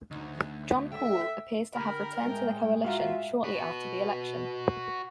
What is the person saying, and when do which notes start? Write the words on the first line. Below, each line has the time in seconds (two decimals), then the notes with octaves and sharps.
John Poole appears to have returned to the coalition shortly after the election.
0.11 D2 D#4
0.92 D3 A3 E5 G5
1.74 D3 G4 A#4 B5
2.23 A2 G#3 A3 G5
2.85 F4 F#4 E5 F5 A#5
3.44 F#4 B4